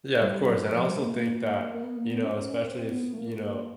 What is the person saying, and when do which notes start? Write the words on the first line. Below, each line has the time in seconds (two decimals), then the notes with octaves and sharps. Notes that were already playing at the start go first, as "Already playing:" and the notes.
Yeah, of course, and I also think that, you know, especially if you know,
0.21 G3
0.48 F#3
0.76 F3
0.89 G3
1.03 A#3
1.16 A#3
1.74 A#3
1.83 B3
1.97 A#3
2.10 B3
2.24 C#4
2.37 C#4
2.64 C4
2.91 B3
3.13 A3
3.18 A#3